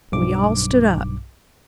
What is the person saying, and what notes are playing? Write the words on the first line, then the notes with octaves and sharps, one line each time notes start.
We all stood up.
B1 G2 D6